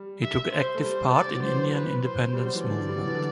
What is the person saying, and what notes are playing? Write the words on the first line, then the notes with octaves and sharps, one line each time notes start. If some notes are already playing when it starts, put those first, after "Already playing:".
He took active part in Indian independence movement.
Already playing: G3
E5
C5
A3
G3 C5
D5
F#3
E3 C5
B4
C5
G3
F#3
E3
D3 D5
G3
F#3
E3
D3